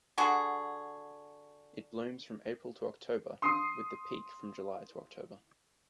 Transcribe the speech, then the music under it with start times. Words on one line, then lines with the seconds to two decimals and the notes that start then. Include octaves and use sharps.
It blooms from April to October with the peak from July to October.
0.18 D3 F#4 G#4
3.42 C6 D#6 C7